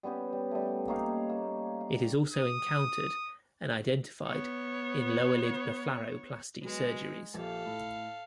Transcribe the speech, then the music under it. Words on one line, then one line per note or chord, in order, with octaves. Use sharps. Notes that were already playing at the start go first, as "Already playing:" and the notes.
It is also encountered and identified in lower lid blepharoplasty surgeries.
G3 B3 C#4 G4
G3
G3 A3
A#3 D#4 C#5 F5
A#3
F5
D#6
B3 C#5
F#3 G#3 B3
A#1 G4 A4 F5
A2